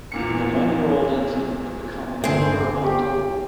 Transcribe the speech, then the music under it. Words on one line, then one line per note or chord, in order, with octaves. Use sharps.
The one-year-old infant would become Emperor Antoku.
E2 A#2 C#7
G1 C4 G#4 C7 D7
G4